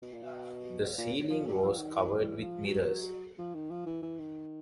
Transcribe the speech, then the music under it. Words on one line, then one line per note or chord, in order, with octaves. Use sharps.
The ceiling was covered with mirrors.
B2
A#2
B2
A#2
F3
F#3
F3
D#3
E3
E3
F3
F#3
F3
D#3
F3
E3
E3
D#3